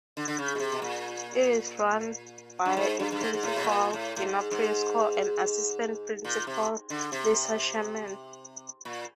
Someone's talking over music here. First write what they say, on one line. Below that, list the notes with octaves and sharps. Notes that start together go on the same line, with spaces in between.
It is run by a principal, Gina Prisco, and assistant principal Lisa Sherman.
D3
D3
C#3
B2
C3
B2
A#2
G2
G#2
G2
G2
G#2
G#2
A2
B2
A#2
A2
A2
G#2
G#2
A#2
C3
D3
C3
A#2